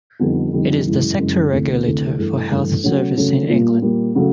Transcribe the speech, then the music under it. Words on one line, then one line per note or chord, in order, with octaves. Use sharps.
It is the sector regulator for health services in England.
F2 D3 G3 B3 D#4
F2 D3 G3 B3 D#4
F#2 C#3 E3 G#3
F#2 C#3 E3 G#3
D2 C3 E3 A3
D2 C3 E3 A3
G2 E3 A3
G2 E3 A3
C#3 F#3 A3 C#4
C#3 F#3 A3 C#4
A#2 G3 A#3
A#2 G3 A#3
C#3 F#3 A3